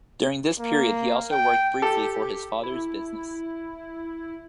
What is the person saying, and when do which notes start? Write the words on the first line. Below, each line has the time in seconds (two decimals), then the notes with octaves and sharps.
During this period, he also worked briefly for his father's business.
0.59 A#3
1.31 G5
1.82 G4 A4
2.63 E4